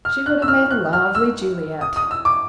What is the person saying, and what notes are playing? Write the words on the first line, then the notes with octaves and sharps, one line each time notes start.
She would have made a lovely Juliet.
F6
F#6
E6
F6
F#6
F6
E6
D#6
D#6
E6
D6